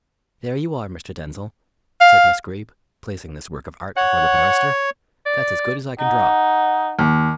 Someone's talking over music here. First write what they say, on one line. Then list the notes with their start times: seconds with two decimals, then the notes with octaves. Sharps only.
"There you are, Mr. Denzil," said Miss Greeb, placing this work of art before the barrister, "that's as good as I can draw."
2.01 F5
3.97 C#5 F#5
5.26 D5
6.00 D#4 F#5
6.99 D#2